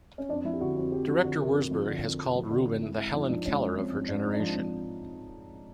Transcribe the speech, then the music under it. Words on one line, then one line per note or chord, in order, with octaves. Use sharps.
Director Wurzburg has called Rubin the Helen Keller of her generation.
C#4
F2 D4
F3 E4
G4
D3 F#4
F2 F#4
F2 G4
F3 F#4
D3
F2 A#4
F2
F3
D3
F2
F2
F3
D3
F2
G#2 E4
G#2 E4
F3 D#4
F3 D4
G#2 C#4
G#2
F3 C4
F3
G#2 D4
G#2 D#4
D4
F3
F3